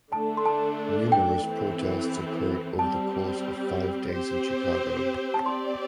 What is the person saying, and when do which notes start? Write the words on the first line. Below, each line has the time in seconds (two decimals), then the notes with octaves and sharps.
Numerous protests occurred over the course of five days in Chicago.
0.12 D3 A3 D4 A4 A5
0.37 C6
0.46 A5
1.12 G5
1.45 E3 C4 A4
2.79 G3 C4 G4 A5
4.12 C4 G4 C5
5.34 A5
5.46 C4 G4 D5 C6